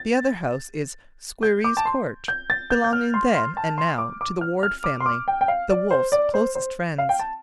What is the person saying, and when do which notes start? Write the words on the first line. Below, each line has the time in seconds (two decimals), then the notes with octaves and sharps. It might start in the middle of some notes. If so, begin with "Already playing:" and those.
The other house is Squerryes Court, belonging then and now to the Warde family, the Wolfes' closest friends.
Already playing: A6
1.43 G6
1.64 D6
1.77 A5
1.85 C6
2.28 G6
2.50 A6
2.70 G6
2.84 G6
2.93 F6
3.14 C6
3.35 C6
3.57 A5
3.78 C6
3.98 D6
4.21 D6
4.41 F6
4.63 F6
4.84 D6
5.00 C6
5.06 D6
5.28 G5
5.41 G5
5.48 F5
5.70 D5
5.91 C5
6.12 D5
6.34 C5
6.55 C5
6.98 F5
7.09 G5
7.19 A5